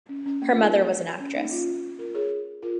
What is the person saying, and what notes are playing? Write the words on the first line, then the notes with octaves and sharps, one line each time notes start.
Her mother was an actress.
C#4
C#4
A#3
F4 A#4
D#4 G#4
A#3
G#3
C#4
A#3 D#4
C#4 F4
F4 A#4
G#4 C#5
F4 A#4